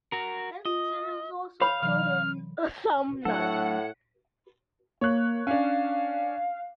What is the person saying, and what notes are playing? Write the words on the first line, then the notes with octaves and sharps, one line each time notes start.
Hence it is also called a thumb nut.
F#4 A#4
F4 D#5
C#5 F5 B5
C3 E3 F#3 F6
A2 F#3 A3 D4 A4 C#5 F#5
A#3 C#5 F#6
C#4 D4 F5